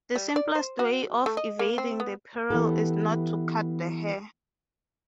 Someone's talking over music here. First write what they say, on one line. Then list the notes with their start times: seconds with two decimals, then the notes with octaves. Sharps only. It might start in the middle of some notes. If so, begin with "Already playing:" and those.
The simplest way of evading the peril is not to cut the hair.
0.16 G3
0.36 D5
0.55 C5
0.79 F#4
1.26 A3
1.37 D#5
1.59 A#3
1.78 C4
2.00 B3
2.50 E3 B3 E4 G4 A4